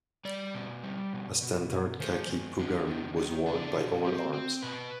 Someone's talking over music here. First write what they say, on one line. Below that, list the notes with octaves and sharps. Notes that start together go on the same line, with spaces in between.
A standard khaki puggaree was worn by all arms.
G3 D5
B2
G3
B2
B2
B2
D#3 C5
D#3
D4
D#3
D#3
D4
B2
C4
C4
B2 B4